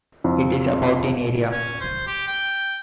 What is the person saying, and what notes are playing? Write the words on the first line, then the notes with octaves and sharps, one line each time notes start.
It is about in area.
F2
C#4
C5
G4
G5